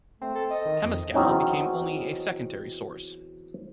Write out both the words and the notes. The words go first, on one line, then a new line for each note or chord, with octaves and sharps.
Temescal became only a secondary source.
A3 C4
A4
D#5
D#3
F2
E2 F#3 C4 C#4 D#4